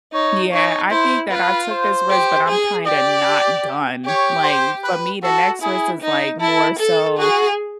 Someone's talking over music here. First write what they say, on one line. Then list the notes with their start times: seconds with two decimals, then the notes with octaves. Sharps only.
Yeah, I think that I took this risk, but I'm kinda not done. Like, for me, the next risk is, like, more so,
0.13 D#4 C#5
0.52 D#4 C#5
0.91 E4 C5
1.30 F4 B4
1.71 C5
2.09 G4
2.48 G#4
2.87 G4 D5
4.05 G4 C#5
4.44 C5
4.83 B4
5.23 F#4 A4
5.62 E4 G#4
6.01 D#4
6.40 E4 A4
6.79 A4
7.19 F#4 G#4